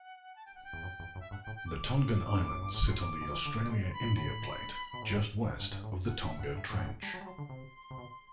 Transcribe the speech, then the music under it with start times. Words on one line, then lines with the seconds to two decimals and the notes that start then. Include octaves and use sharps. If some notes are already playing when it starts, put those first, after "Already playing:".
The Tongan Islands sit on the Australia-India plate just west of the Tonga Trench.
Already playing: F#5
0.36 A5
0.46 G5
0.55 F#5
0.64 G5
0.73 E2
0.83 F#2
0.99 E2
1.15 F#2
1.20 E5
1.31 G2 F#5
1.43 G5
1.47 A2
1.56 G5
1.67 D6
1.80 D6
2.26 B2
2.41 E2
2.51 F#2
2.62 G2
2.74 A2 D6
2.87 A2 C6
3.00 D6
3.05 F#2
3.21 B2
3.33 E3
3.46 D3
3.57 C3
3.69 B2 C6
3.93 B5
4.16 A2 B5
4.93 B2
5.02 A2
5.11 G2
5.60 G2
5.71 G2
5.83 A2
6.06 G2 F#5
6.22 G2 E5
6.38 G2 F#5
6.55 G2 E5
6.66 G5
6.70 A2 F#5
6.78 G2
6.86 A2
7.02 G3 A5
7.14 F#3
7.21 G3
7.26 F#3 C6
7.38 D3
7.49 C3
7.90 C3
7.98 B2